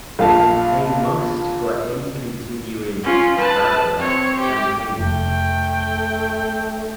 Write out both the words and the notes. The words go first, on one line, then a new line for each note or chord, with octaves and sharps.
A must for any continuing "Traveller" campaign.
A#1 F5 A5
C#4 F4
B4 A5
C4 C#5
G4
F1 A3 G5